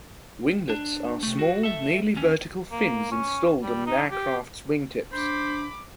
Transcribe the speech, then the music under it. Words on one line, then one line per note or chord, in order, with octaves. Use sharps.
Winglets are small, nearly vertical fins installed on an aircraft's wing tips.
D4
C3 A3
F#4
A4 E5
D#2 C#4
A#3
C#4
G3
D#4
G4
D4 C5 B5 D6